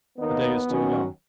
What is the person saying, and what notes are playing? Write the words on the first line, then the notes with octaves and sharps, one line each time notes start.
The day is still young.
D#2 D#3 A#3 B3 D#4 A#4
D#3 F#3 C#4 F#4